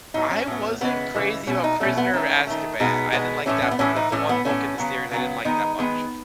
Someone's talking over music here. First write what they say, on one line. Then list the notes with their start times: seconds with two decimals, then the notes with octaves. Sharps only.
I wasn't crazy about Prisoner of Azkaban, I didn't like that book. That's the one book in the series I didn't like that much.
0.14 A2 F#3 B3 D#4
0.31 C#4
0.47 A2 F#3 B3
0.81 C#3 E3 G#3 B3
1.15 C#3 E3 G#3
1.47 B2 A3 C#4
1.64 D#4
1.80 B2 A3 C#4
1.97 B3
2.14 D#3 A3 C#4
2.47 D#3 A3
2.80 B2 G#3 B3 D#4
3.13 B2 G#3 B3
3.46 A2 E3 A3 C#4
3.62 C#4
3.71 B3
3.79 A2 E3 A3 C#4
3.96 D#4
4.12 A2 E3 A3 C#4
4.29 B3
4.45 A2 E3 A3 C#4
4.78 C#3 F#3 B3
5.11 C#3 F#3 B3
5.45 D#3 G#3 B3 D#4
5.78 D#3 G#3 B3